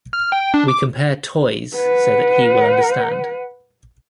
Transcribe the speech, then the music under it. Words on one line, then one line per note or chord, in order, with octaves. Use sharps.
We compare toys so that he will understand.
F6
G5
D4
D6
B4 F#5